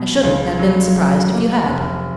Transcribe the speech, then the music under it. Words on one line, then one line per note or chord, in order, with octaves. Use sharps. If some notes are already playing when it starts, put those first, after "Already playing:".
I shouldn't have been surprised if you had.
Already playing: B2
C#2
F#3
F#3
A#3
F1